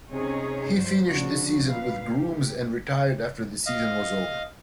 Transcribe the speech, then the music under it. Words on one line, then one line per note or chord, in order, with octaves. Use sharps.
He finished the season with Grooms and retired after the season was over.
C3 C#4 D#4 G#4 C#5
G2 E3 F#3 G3 C5
D2 C#3 F3 D4 F#4
A#2 B4 F5
G4
D#5 F5